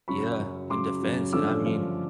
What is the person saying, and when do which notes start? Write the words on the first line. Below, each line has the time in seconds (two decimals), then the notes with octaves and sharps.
Yeah. In defense, and I mean,
0.08 F#2 C#3 F#3 B5 C#6
0.40 F#2 C#3 F#3
0.70 F#2 C#3 F#3 C6 D6
1.02 F#2 C#3 F#3
1.33 G2 D3 F3 A3 C#4 D6 E6
1.64 G2 D3 F3 A3 C#4